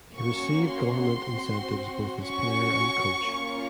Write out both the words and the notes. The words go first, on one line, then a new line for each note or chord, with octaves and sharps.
He received government incentives both as player and coach.
A#3 C#4 F#4 C#6
C6
C4 F#4
C#4 F#4 C#6
A#3 C#4 F4